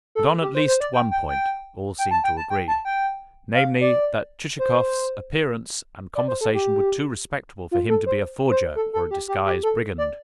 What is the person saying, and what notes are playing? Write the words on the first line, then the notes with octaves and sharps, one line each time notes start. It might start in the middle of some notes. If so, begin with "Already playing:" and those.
But on at least one point all seemed to agree--namely, that Chichikov's appearance and conversation were too respectable for him to be a forger or a disguised brigand.
A4
G4
C5
C5
D5
G5
G5
G5
G5
A5
G5
A5
G5
A5
G5
F5
D5
C5
D5
C5
A4
G4
F4
A4
C5
C5
A4
A4
G4
G4
G4
A4
D5